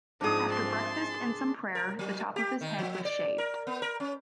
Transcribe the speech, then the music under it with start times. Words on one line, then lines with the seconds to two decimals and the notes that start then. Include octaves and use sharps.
After breakfast and some prayer, the top of his head was shaved.
0.21 G#2 F3 C4 D4 D#4 G#4 D#6
0.51 A5 C6
1.75 A#4
1.99 F#3
2.36 G4
2.61 D#3
2.79 F3
3.05 D5
3.38 A#4
3.67 B3
3.82 A#4
4.00 C#4